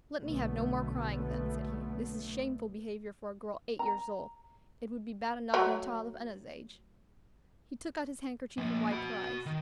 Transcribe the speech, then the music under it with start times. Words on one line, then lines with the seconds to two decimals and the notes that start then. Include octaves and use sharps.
"Let me have no more crying, then," said he; "this is shameful behavior for a girl eight years old; it would be bad enough in a child of Enna's age." He took out his handkerchief and wiped her eyes.
0.21 B1 D3 A3 B3
3.79 A#5
5.54 F#3 A3
8.58 F3 A#3
8.91 F#4 B5
9.46 D#3